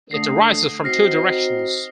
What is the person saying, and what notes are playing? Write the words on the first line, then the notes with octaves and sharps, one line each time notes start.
It arises from two directions.
D3 A3 D#6 A#6 C7
C4 D#4 F#4 F6 A#6 C7